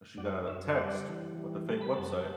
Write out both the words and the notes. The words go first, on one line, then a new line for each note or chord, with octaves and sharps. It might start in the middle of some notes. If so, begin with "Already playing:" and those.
she got a text with a fake website
F#2 D5 F#5
F#2 C#5 E5
G3 D5 F#5
E3
G3
G3 A5
B5
F#2 F#5 A5